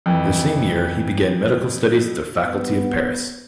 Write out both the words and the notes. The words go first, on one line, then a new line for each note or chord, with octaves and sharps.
The same year he began medical studies at the Faculty of Paris.
F2 E3
B3